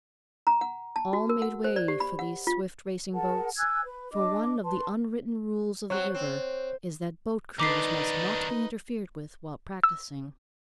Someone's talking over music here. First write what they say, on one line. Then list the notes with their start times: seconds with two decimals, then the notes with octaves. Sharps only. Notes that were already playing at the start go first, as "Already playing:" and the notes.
All made way for these swift racing boats, for one of the unwritten rules of the river is that boat crews must not be interfered with while practising.
0.47 A#5
0.61 F#5
0.96 A5
1.13 F#4
1.29 A#4
1.42 F#5
1.64 C5
1.76 D5
1.88 G4
2.00 B5
2.19 F#5
2.47 F4
3.14 G#4 A#4 F#5 A5
3.57 G#5 E6 F#6 G#6
3.85 B4
4.12 D4 D#5 D6
4.64 B4 A5 C6
5.90 F#3 C4 C#5 F#6
6.15 C4
7.60 D#3 D4 D#4 B4 D6 B6 C7
9.84 E6